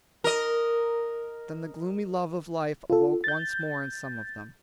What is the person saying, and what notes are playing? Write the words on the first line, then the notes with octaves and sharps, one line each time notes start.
Then the gloomy love of life awoke once more in some of them.
A#4 D#5
F4 A4
G6 A6